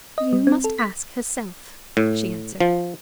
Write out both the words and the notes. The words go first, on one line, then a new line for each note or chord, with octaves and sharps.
"You must ask herself," she answered.
D#5
G3
C4
A4
B6
A2
F3